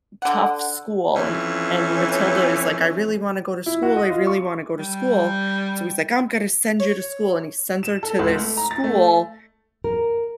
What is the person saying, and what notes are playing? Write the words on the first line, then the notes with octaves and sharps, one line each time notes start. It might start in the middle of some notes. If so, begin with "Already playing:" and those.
tough school, and and Matilda is like, "I really wanna go to school, I really wanna go to school," so he's like, "I'm gonna send you to school," and he sends her to this school
D3 F#5
F2 E3 C#4
E4
F#4
D#5
F4
C#6
G3
C#5
E7
A4
C#2
A3
A#5
A6
A3
A#4